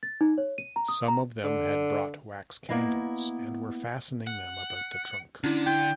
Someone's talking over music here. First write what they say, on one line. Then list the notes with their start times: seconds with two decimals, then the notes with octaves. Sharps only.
Some of them had brought wax candles and were fastening them about the trunk.
0.03 A6
0.21 D#4
0.38 C#5
0.58 D#7
0.76 A#5
0.88 D#6
1.08 A#5
1.44 D3
2.69 A#3 B3 E4 D#5 F5
4.27 F#5
5.44 D3 C#4 D4 E4
5.67 E4 G5